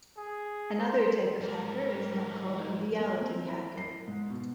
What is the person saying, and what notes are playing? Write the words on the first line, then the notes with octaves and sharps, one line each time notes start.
Another type of hacker is now called a reality hacker.
G#4
C5
G#2 G3 A#4
A#3
C4
E4
C7
G#2
B2